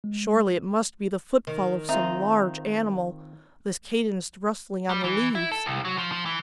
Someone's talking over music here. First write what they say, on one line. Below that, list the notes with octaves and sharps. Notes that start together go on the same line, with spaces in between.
Surely, it must be the footfall of some large animal, this cadenced rustling on the leaves!
G#3
D#3
C4 D#4 F4 E5
G3
E3
E4
A4
C2
F#3
F3
F3
E3